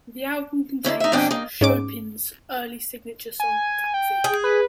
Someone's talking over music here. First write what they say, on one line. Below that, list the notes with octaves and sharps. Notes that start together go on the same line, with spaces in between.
The album contains Chapin's early signature song Taxi.
D3 D#3 C#4 E4
D#4 E5
F2 B2 D4 G5 G#5
A#3 D#4
G#2 C#4 D6
G#5
G5
G#4
B4